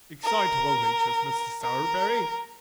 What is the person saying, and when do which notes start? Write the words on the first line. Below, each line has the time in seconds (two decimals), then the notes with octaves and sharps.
Excitable natures, Mrs. Sowerberry!
0.24 A#4
1.62 A#4